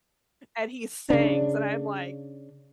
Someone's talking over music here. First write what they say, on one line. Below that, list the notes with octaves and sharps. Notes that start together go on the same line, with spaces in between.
and he sings, and I'm like,
C#3 D4